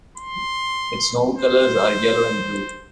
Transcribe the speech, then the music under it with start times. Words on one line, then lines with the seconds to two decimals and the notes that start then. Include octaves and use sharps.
Its home colors are yellow and blue.
0.18 C6
1.37 C5